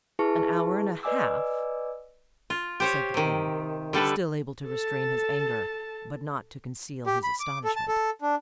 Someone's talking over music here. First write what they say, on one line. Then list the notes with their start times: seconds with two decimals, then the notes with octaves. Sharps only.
"An hour and a half!" said the king, still able to restrain his anger, but not to conceal his astonishment.
0.19 E4 G#4 B4 A5 C#6
1.03 B4 D5 D#5 G#5 D6 E6
2.50 F4
2.80 G4 C5 C#5
3.14 C3 D#3
3.93 D3 G3 A4 B4
4.66 A4 A5
7.06 G4
7.23 B5
7.40 D6
7.64 A4
7.76 A5
7.88 A4
8.22 D4